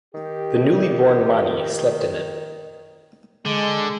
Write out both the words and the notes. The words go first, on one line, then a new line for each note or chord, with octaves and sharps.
The newly born Mani slept in it.
D#3 G4
D3 G#3